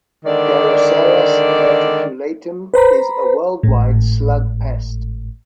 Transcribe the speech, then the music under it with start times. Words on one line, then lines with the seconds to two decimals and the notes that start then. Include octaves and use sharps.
"Deroceras reticulatum" is a worldwide slug pest.
0.25 D3 D#3 G#3 D5
2.74 B4 C5 A#5 B5
3.63 G#1 A2